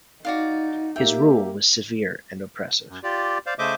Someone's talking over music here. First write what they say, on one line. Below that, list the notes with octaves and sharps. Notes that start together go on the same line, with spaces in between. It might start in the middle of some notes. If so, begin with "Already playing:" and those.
His rule was severe and oppressive.
D#4 F#4 D5 F5
A#3 G4 E5 G5
F#2
F4 G4 D5
C5 D5 F5
C#3 A3 C5 D#5 E5 D6